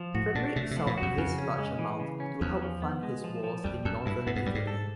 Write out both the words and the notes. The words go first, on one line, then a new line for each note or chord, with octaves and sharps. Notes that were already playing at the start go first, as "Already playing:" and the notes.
Frederick sought this large amount to help fund his wars in northern Italy.
Already playing: F3
A2 F#4
A#2 D4
C3 A3
C3
F3
A#2
F#2 F#4
F2 C#3
C#4
G#3
E3
C#3
C#4
E2 F3
F3
B3
G#3
F3
F3
F2 G3
F#2 A4
G2 E4
A2 B3
G#2
G2 G3
G#2
A4